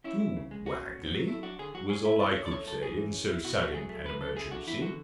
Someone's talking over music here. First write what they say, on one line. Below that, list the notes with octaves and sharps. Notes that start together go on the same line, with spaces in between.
"Too waggly?" was all I could say in so sudden an emergency.
C#4 E4
E4
C#3
G#3
C#4 F#4
A2
A2
F#3
A3 E4
D4 F#4
D3 G#4
F#3 F#4
C#4 G#4
E4 E5
B2 D5
A3 C#5
D5
A3 C#5
F#2 A4
F#2 G#4
E3
C#4
E4
B2 F#4
A3 F#4
F#3 G#4
A3
F#2 B4
C#3 A4
A3 G#4
D4 F#4
E2 E4
D3 F#4